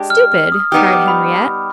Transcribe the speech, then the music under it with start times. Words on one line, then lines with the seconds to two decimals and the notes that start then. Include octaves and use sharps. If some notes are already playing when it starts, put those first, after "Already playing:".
"Stupid!" cried Henriette.
Already playing: G#3 D4 G4
0.10 F6
0.32 F6
0.52 D#6
0.71 G3 B3 D#4 G4 D#6
0.93 D6
1.08 B5